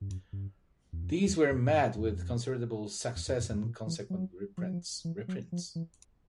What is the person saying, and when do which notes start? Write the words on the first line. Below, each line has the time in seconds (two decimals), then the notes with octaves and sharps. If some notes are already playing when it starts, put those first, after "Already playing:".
These were met with considerable success and consequent reprints.
0.01 G2
0.10 F#2
0.33 G2
0.93 E2
1.04 F2
1.27 E2
1.51 F2
1.68 G#2
1.74 G2
1.97 F2
3.16 E2
3.28 F2
3.40 F#2
3.51 F2
3.64 A#2
3.87 E3
4.10 F#3
4.58 F3
4.64 F#3
4.73 F3
5.05 E3
5.28 F#3
5.52 F3
5.75 E3